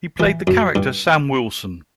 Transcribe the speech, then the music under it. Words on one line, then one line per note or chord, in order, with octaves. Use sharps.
He played the character Sam Wilson.
E3
F#2
G2